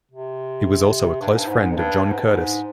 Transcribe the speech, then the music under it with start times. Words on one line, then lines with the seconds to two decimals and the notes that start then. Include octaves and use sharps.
He was also a close friend of John Curtis.
0.11 C3
1.21 G2
1.29 G#2
1.38 G2
1.48 G#2
1.71 F2
1.77 G2
2.04 G2
2.12 G#2
2.19 G2
2.31 G#2